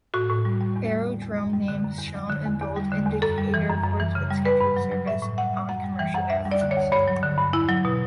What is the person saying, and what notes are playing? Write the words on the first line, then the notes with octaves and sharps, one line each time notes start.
Aerodrome names shown in bold indicate airports with scheduled service on commercial airlines.
A2 F#4
A2
G3
G3
E2
G3
D3
E2
F#2
G3
D3
F#2
E2
F#3
D3
E2
E2
G3
D3
E2
F#2 A4
G3
E3
F#2
F#2
E3
C#3
G3
G2 B4
G2
F#3
F#3
A2 E5
A2
G3 F#5
G3
F#2 F#5
G3
E3 G5
F#2 F#5
D2 E5
G3
D5
D3
C#5
D2
G2 C#5
F#3
D3
G2
E2 E4
F#3
B2